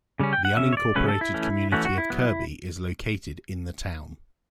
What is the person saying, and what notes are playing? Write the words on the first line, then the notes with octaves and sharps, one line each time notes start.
The unincorporated community of Kirby is located in the town.
C#3 G3 C#4
G5
F#5
C#3 G3 C#4 E5
C#5
D5
C#3 F#3 A3 C#4 B4
A4
E4
E3 A3 C#4
E3 A3 C#4 F#4
F#4
E4
F#3 B3